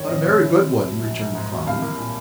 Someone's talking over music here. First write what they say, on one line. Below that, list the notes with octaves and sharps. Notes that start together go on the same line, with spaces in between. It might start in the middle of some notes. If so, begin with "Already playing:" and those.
"But a very good one," returned the Clown.
Already playing: F#1 D#3 C#5
F2 D#5
C3 C#5
C2
C4
C3
F#3
A#1
A#1
G#2
F#3
C2 F5
A#3
A#2